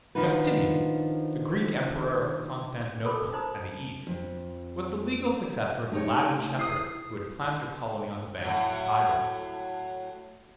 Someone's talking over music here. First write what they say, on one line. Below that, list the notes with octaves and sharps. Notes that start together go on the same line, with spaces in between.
Justinian, the Greek emperor of Constantinople and the East, was the legal successor of the Latin shepherd who had planted a colony on the banks of the Tyber.
D#3 F3 D4 D#4 F#4 B4
A4 A#4 B5 C6 D6
D#4 C5 A#5 D#6
F2
A3 D#4 G4 C#5
E4 D#6 C7
A2 F#3